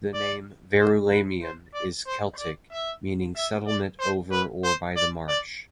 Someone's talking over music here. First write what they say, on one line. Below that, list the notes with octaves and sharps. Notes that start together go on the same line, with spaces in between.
The name "Verulamium" is Celtic, meaning "settlement over or by the marsh".
D5
C5
B4
C5
D5
C5
D5
E5
E5
D5
C5
B4
C5
D5
D5